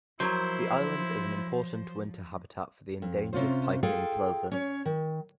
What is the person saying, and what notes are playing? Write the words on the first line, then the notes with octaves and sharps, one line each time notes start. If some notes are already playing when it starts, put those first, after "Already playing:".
The island is an important winter habitat for the endangered piping plover.
F3 F#3 E4 A#4 C5
F2
C3 C#4 F4 C5
F4 G#4 A4 F5 G5
C#4 C#5
D#3